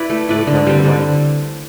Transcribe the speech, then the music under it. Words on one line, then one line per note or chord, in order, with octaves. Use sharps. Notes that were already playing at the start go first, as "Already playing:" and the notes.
They were going away.
Already playing: E4 B4 D5
A3
E4 B4 D5
D3
G3 C4
D3